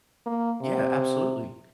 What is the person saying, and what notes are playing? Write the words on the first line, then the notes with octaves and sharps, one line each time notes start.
Yeah, absolutely.
A#3
C3